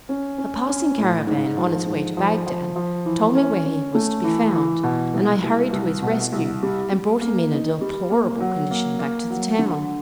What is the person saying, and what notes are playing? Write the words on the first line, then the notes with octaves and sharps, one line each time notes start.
A passing caravan, on its way to Bagdad, told me where he was to be found, and I hurried to his rescue, and brought him in a deplorable condition back to the town.
C#4
C#4
C#4
A2
G#2
F3
G#2
F3
F3
F3
E3
C#4
C#4
A3
E3
E3
B2
C2
C2
C2
B2
C2
G3
G3
A#3
D#4
G3
A#3
F#3
A#3
A#3
F#3
D3